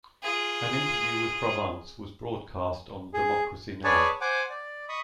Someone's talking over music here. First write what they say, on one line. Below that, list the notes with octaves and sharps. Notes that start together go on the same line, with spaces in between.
An interview with Provance was broadcast on the Democracy Now!
F4 G#4
G#4
G#4 B4 C#5 D5 G#5 A5
C5 F#5 G#5 D6
D5
D#5 B5 C#6 D#6